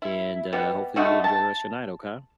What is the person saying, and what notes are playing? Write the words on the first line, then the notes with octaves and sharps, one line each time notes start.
and, uh, hopefully you enjoy the rest of your night, okay?
E4
B2 G3 B3
D3 A3 D#4 F#4
A5